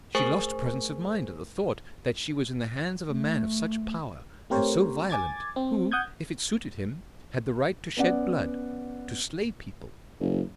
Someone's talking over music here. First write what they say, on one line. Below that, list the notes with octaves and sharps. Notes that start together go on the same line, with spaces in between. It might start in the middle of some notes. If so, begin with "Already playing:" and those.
She lost presence of mind at the thought that she was in the hands of a man of such power and so violent, who, if it suited him, had the right to shed blood, to slay people.
A3 G#4 A#4 C5 G#5 C#6
A3
A3 C4 G4 A#4 C5 C#5
G#5 D6 G#6 A6
C4
F#5 D#6 G6 G#6
B3 C#4 D5 F#5
F#1